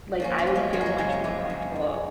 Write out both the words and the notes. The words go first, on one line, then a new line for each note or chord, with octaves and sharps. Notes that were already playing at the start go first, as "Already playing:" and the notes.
like, I would feel much more comfortable
F3 A#3 C#4
C#4 F4
F3
G#3 B3
F#2 F#3 A#3
G#3
F#3
C#3 G#3
G#3
F3 G#3
F#2
F#2